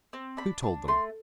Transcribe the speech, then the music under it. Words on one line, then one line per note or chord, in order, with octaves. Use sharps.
"Who told them?"
C4
D4 B5
D4
A3 C6